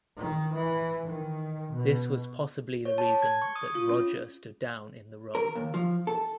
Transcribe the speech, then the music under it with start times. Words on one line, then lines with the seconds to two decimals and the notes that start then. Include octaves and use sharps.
This was possibly the reason that Rodger stood down in the role.
0.18 D#3
0.54 E3
1.05 D#3
1.73 B2
2.85 C#5
2.98 A5
3.22 G#6
3.42 C#6
3.56 D#6
3.75 F4
3.89 C#4
5.35 A#4
5.55 D#2
5.74 F3
6.07 A4